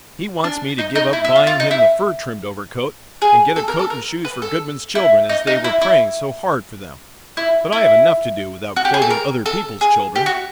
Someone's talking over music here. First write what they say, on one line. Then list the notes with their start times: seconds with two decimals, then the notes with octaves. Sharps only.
He wants me to give up buying him the fur-trimmed overcoat and get a coat and shoes for Goodman's children, as they were praying so hard for them, but I have enough to do without clothing other people's children.
0.44 D4
0.78 D#4
0.95 D#4
1.13 E4
1.25 E4
1.36 F4
1.47 F4
1.60 D#4
1.71 E4
3.22 G#4
3.56 A4
3.68 A#4
3.79 A4
3.90 A#4
4.25 B4
4.42 A4
4.95 E4
5.29 D#4
5.47 D#4
5.64 E4
5.82 E4
7.37 E4
7.72 E4
8.76 F#4
8.85 G4
8.94 G#4
9.02 A4
9.11 A#4
9.46 A4
9.81 G#4
10.16 G4
10.26 F#4